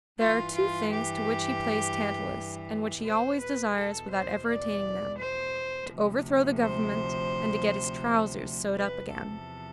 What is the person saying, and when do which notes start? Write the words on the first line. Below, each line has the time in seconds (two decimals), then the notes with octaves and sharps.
There are two things to which he plays Tantalus, and which he always desires without ever attaining them: to overthrow the government, and to get his trousers sewed up again.
0.19 G2 E3 F4
0.56 F4
0.91 G4
3.04 E2 B2 C5
3.40 B4
3.76 A4
4.11 C5
4.48 D5
5.19 C5
5.89 D2 C3 F3
6.61 C5
8.75 E2 C3 F3 B4
9.11 A4